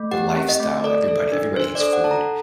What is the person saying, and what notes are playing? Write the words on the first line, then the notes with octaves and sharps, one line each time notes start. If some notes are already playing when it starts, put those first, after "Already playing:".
the lifestyle everybody everybody eats food,
Already playing: A3
G4 F#5
C4
D#5
A3
A4 D5
A4
D4
D4 C5
D5
A4
F#5
A4 A5
A#5